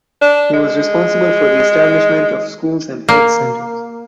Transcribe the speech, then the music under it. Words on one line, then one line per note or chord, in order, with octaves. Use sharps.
He was responsible for the establishment of schools and health centres.
D4
G#3
A#3